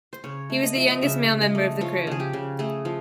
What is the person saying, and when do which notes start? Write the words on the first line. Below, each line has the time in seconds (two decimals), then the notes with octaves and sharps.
He was the youngest male member of the crew.
0.13 C5
0.24 C#3 C#5
0.50 A3
0.63 D#5
0.75 F3 E5
0.87 D#5
1.02 C#3 E5
1.28 C#3
1.41 D#5
1.55 A3
1.81 F3 C#5
2.07 C#3 G#4
2.20 G4
2.33 C#3
2.59 A3 G#4
2.85 F3